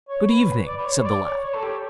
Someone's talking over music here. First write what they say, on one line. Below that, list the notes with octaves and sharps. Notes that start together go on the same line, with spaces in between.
'Good evening!' said the lad.
C#5
B4
D5
B4
C#5
D5
C#5
C#5
A4
G4